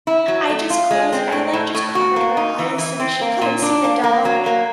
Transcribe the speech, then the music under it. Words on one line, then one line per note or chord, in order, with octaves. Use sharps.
I just closed I, like, just covered her eyes, so that she wouldn't see the dog,
E4
F#3
A3
F4
G#3
C4
A2
A2
A2
F#4
A#3
D#4
E3
E3
C4
A#3
A#2
D4
A#3
A#3
F#3
A#3